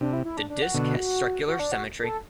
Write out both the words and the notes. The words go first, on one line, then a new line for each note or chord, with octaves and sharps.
The disk has circular symmetry.
C3 D4
E4
E4
D4
D4
F#4
B2 D3
F#4
D4
F#4
A4